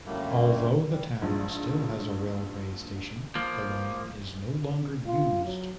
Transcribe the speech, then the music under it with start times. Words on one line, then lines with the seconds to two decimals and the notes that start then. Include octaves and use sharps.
Although the town still has a railway station the line is no longer used.
0.06 F#2 A2 D3 G3 A3 A#3
0.90 G3
1.22 A#1 G#2 F3
3.35 F3 A#3
5.06 F4
5.44 F#3